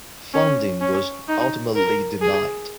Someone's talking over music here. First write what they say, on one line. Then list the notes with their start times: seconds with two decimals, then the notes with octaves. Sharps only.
Funding was ultimately denied.
0.34 C#4
0.81 C#4
1.28 D#4
1.75 A#4
2.22 G#4